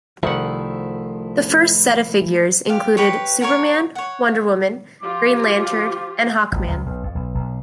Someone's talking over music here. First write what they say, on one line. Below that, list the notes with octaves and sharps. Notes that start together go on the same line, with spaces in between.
The first set of figures included Superman, Wonder Woman, Green Lantern, and Hawkman.
C2 D#3 F3 A3 E4 F#5
G4 F5
G4 B4 C#5
F#4 A#4 B4 C#5
C#5 F#5
F3 F4 G4 D6
A1
C#2
B1
F2
B1
B1